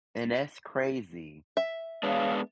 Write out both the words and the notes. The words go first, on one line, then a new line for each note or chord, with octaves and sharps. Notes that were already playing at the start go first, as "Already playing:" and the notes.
And that's crazy.
E5
G#3 B3 D4 C#5 F5